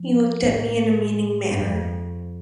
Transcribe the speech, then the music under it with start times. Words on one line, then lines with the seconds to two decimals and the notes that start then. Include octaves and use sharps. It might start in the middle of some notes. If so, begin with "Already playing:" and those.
He looked at me in a meaning manner.
Already playing: F3
0.43 A2
1.51 G2
1.60 F2